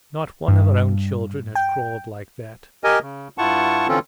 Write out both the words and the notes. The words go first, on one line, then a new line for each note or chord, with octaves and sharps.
Not one of her own children had crawled like that.
G2
G5
G4 A#4 D#5 G#5
C#3
G2 E4 F4 F#5 A5 C#6
D3 E3 C4 C#4 F4 A4